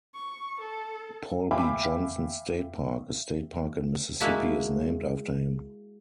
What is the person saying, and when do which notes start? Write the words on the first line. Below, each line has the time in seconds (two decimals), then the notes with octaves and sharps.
Paul B. Johnson State Park, a state park in Mississippi, is named after him.
0.15 C#6
0.61 A4
1.51 E5 F5 G5 G#5 B5 D6
4.20 G#3 A#3 E4 F#4 E5 A5